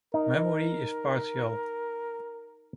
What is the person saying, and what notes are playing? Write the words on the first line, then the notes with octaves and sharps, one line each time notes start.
Memory is partial.
D#4 A#4